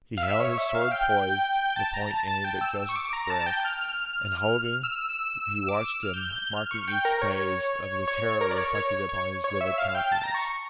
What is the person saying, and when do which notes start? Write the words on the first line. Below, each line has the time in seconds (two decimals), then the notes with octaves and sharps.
He held his sword poised, the point aimed at Joseph's breast, and holding, he watched him, marking each phase of the terror reflected upon his livid countenance.
0.17 F5
0.23 E5
0.40 C#5
0.58 E5
0.75 F5
0.91 G5
1.59 G5
1.70 G5
1.76 A5
1.94 A#5
2.11 A5
2.27 A5
2.44 G5
2.61 E6
2.89 C#6
2.96 D6
3.13 A#5
3.30 A5
3.46 G5
3.60 G6
3.65 F6
4.66 F6
4.83 E6
5.69 D6
5.85 E6
6.03 F6
6.14 G6
6.25 G6
6.36 G6
6.54 F6
6.71 C#6
6.88 G5
7.05 A#4
7.22 C#5
8.08 C#5
8.41 A#4
8.51 D5
8.58 C#5
8.75 C#5
9.09 C#5
9.44 C#5
9.61 E5
9.78 F5
9.95 G5
10.12 A5
10.23 A#5
10.34 C#6